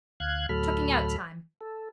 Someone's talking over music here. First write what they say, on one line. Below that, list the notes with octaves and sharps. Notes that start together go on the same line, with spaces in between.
Chuckingout time.
D2 F5 F#6 G#6
D2 A2 F#3 A4 B5 F6
A4